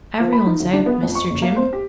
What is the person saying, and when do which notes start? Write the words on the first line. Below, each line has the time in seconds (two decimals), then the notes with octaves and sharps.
"Every one's out, Mr. Jim."
0.20 F3
0.33 B5
0.46 D#4
0.60 D2
0.73 D4
0.86 B3
1.03 F2
1.15 C#6
1.30 F#1
1.42 A#3
1.56 C5
1.73 G4